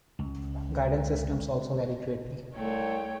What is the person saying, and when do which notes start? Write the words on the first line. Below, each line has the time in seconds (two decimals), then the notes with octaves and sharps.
Guidance systems also vary greatly.
0.19 C#2
2.56 C2 A3 C#5 G5